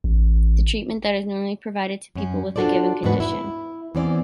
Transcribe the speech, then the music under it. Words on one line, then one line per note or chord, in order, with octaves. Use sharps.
The treatment that is normally provided to people with a given condition.
A1
F#2 C#4
D4 F4 F#4 A4 C5 D5
E2 G#2 D4 F#4 B4 F#5
E4
E2 E3 C4 C#4 D5